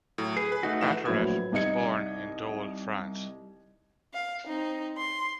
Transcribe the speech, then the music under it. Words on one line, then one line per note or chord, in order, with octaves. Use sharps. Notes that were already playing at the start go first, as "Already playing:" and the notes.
Attiret was born in Dole, France.
A2 F#3
G#4 B4
B4
A3 D#4 F#4
A#1 E3 E7
A#1 A2 F#3 E4 B4 G#6
C2 D#4 D#5 G#6 C#7
F5
C4 D#4
C6